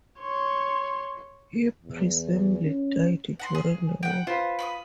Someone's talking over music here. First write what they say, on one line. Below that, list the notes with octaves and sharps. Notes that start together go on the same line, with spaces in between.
He presumably died during the war.
C#5 C6
E2
C#4
F#5 A#5 C6
G#4
F#5 G5
F4 B4 C5
B5 C6 D#6